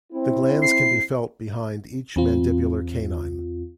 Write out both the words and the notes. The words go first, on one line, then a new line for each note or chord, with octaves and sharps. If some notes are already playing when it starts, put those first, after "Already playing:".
The glands can be felt behind each mandibular canine.
C4 E4
C7
E2 C4 F4